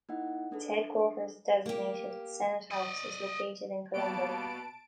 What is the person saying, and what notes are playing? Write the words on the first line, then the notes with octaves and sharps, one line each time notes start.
Its headquarters designated "Senate House" was located in Colombo.
A#3 D#4 E4 D#5 F#5
D4 G#4 A4 B4
A#3 G4
D5 D#5
B2 G3 A#3 A5 D7